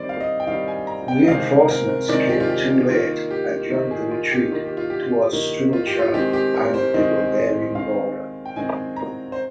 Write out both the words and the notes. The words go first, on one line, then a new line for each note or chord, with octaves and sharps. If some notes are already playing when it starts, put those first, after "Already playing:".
Reinforcements came too late and joined the retreat towards Strumica and the Bulgarian border.
Already playing: D#3 G3 C4 C5 D5
F5
D#5
G5
D#3 G3 C4 F5
G#5
A#5
G5
D#5
C3 D#3 G#3 C4 F5
A#4
C3 D#3 G#3 C4 D5
G4
F4
G4
D#3 A#3 F4
G4
D#3 A#3
G#4
F4
G4
D#3 A#3 F4
G4
F4
G4
F4
D#3 A#3
F4
G4
F4
D#3 G#3 C4 G4
G4
A#4
C5
D#3 G#3 C4 D#5
D#3 G#3 C4 F5
G5
D#3 G#3 C4 G#5
A#5
C5